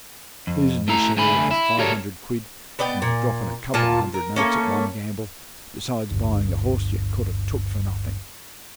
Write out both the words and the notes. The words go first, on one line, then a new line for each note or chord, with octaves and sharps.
Losin' yer share of the five hundred quid, and then dropping a couple of hundred notes at one gamble, besides buying a horse yer could have took for nothing.
F2
A3 E4 A#5
C2 D3 A3 G#5 B5
E4
F#4 G4 A4 A#4 C#5 D5
B3 D5 D#5 G5
A#2
A#2 F4 A5
A#4
A3 A#3 C#4
G1 D2